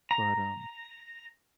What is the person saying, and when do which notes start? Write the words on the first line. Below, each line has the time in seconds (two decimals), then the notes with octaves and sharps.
But, um
0.11 A#5